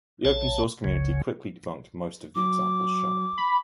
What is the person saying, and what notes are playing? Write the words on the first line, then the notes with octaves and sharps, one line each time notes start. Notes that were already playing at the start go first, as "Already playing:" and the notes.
The open source community quickly debunked most of the examples shown.
A#1 C#5 A5
F#1 C#2 C#3
F#3 D6
B5